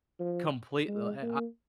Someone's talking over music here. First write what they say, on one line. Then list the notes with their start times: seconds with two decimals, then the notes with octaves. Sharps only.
complete li l I
0.20 F3
0.88 G#3
1.22 A#3